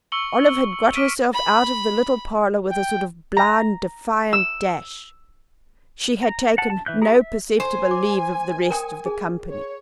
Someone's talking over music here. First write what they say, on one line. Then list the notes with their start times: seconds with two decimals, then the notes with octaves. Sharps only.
Olive had got herself out of the little parlour with a sort of blind, defiant dash; she had taken no perceptible leave of the rest of the company.
0.12 C#6 E6 C#7 F#7 G7
0.93 D6 F6 B6 D7 D#7
1.33 B5
2.71 G5
3.37 A#5
4.33 E6
6.23 A#5
6.58 F#5 A5
6.70 A5
6.86 E3 E5 F#6 G6
7.02 E4 G4 G#4 A#5
7.21 E5
7.60 C5 G#5
7.91 D6
8.70 A#4 G5 D#6
9.06 G#4
9.50 C#5